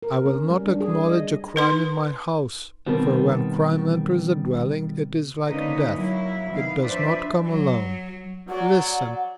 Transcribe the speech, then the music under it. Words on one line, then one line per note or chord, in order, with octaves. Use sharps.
I will not acknowledge a crime in my house; for when crime enters a dwelling, it is like death--it does not come alone.' Listen.
A#4
C#4
G3
D4
G#4
D#5
D#4 B4 C6
B2 D#3 G3 C4 A#4
D3 A#3 C#4 D#4 B4 D#5
F#3 A#3 E4
D#3 B3 F5
F3 D4 B4 C5 D5 E5
F#3
F#3 D5 F#5